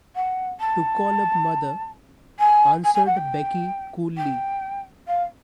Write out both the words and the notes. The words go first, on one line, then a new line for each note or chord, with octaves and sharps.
"To call up mother," answered Becky coolly.
F#5
A5
G#5
G#5
G#5
F#5
G5
G5
F5